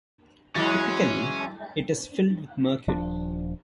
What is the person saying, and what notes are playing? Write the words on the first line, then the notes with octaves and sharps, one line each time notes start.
Typically it is filled with mercury.
E3 F#3 G#3 C#4 E4 A6
D#1 F3 D4